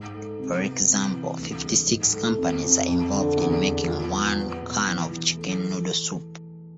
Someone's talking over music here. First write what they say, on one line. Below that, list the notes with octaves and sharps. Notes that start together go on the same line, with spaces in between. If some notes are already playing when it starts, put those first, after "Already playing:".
For example, fifty-six companies are involved in making one can of chicken noodle soup.
Already playing: G#2
A3
C3
B3
C3
E3
D2
G#3
G#2
A3
F2
F2
F2
D3
E2
G#3
F3
B3
B3
B2
E3
E3
A3